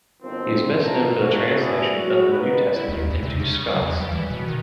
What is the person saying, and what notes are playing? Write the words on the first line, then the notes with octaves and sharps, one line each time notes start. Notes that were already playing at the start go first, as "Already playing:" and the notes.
He is best known for the translation of the New Testament into Scots.
G1 B2 D#3 F3 C4
F4 A4 A#4
D2 A3 A#3 F#4
A#3 D4 E4 F#4 G#4
F#3 F#4
G3 G#3 A#3 B3 D#4 B4
E4
D#2
E2
C3
C#3
F#3
E2
G3
E3
B2
D#3